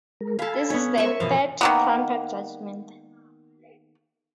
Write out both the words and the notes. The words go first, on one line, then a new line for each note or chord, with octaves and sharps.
This is the Third Trumpet Judgment.
G#3 A#4
A4 F5 G#5 B5
B3 C#4 C#5
A#4 C5 E5 G#5 C#6
B2 E3 F3 F5
D#3 A#3 B3